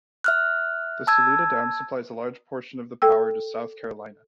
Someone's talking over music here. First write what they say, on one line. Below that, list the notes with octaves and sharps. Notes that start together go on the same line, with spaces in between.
The Saluda Dam supplies a large portion of the power to South Carolina.
E5 F6 F#6
A5 E6 G#6
A4 G5 E6